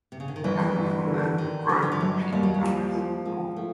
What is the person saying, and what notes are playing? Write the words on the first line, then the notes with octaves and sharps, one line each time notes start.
Together, we will learn, grow and achieve our best and more.
C3
C#3
D3
D#3
G1 E3
G1
D3
D3 D#3
D3 F3
E3
F3
G1 F#3
D#2 G3
F#3
G3
F3
F3
F3 G#3
F3 A3